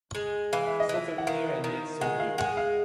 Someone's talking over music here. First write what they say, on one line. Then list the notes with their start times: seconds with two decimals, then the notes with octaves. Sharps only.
So familiar and yet so new.
0.15 G#3
0.53 E3 F5
0.66 E5
0.80 D#5
0.89 E3 E5
1.18 F#5
1.27 D#3 F5
1.64 D#3
2.01 G#3 F#5
2.20 F5
2.38 G#3 F#5
2.57 F5